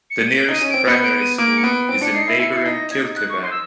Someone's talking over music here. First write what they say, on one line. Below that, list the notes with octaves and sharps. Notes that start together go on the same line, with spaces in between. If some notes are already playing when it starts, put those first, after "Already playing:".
The nearest primary school is in neighbouring Kilkivan.
C#7
D#7
D7
D#4 D#7
C#4
C4 D7
B3 C#7
D7
D#7
A#3 D7
C#7
B3 D7
C4 D7
D4 C#7
D#4 C7
C#7
E4 C7
E4 C#7
C#7
E4 C7
D#4
A#6
D#4 G#6
F#6
C#6
C6
E6